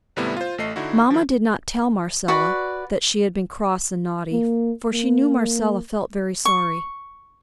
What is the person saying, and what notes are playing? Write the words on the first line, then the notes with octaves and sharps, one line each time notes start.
Mamma did not tell Marcella that she had been cross and naughty for she knew Marcella felt very sorry.
G#1 C3 G3 A3 B3 E4
F4 C5
A1 A3 D#5 C7
D3 D#4 E4 F#4
D#3 F3
F#4 B4 D5
A#3
A#3
C#6